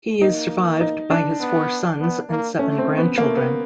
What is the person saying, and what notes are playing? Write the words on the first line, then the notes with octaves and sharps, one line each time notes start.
He is survived by his four sons and seven grandchildren.
A#3 D#4
D#4
D4
B3
B3
A#3
A3 C#4
C4
B3
A3 A#3
B3